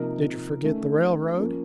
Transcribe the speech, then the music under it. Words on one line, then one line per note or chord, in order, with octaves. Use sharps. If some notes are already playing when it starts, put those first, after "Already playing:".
Did you forget the railroad?
Already playing: C3 F3 A#3 D#4 A#4
D#3 A3 C#4
F3 A#3 C#4